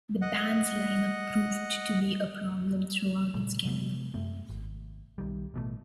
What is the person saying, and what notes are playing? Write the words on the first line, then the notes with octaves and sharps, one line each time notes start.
The band's lineup proved to be a problem throughout its career.
D#5 F#5
A#2 C#3 G3 A3
C3 F3 G#3 B3
F#2 A3 C4
G#1
B1 D#3 G3
A1 B2 D#3 A3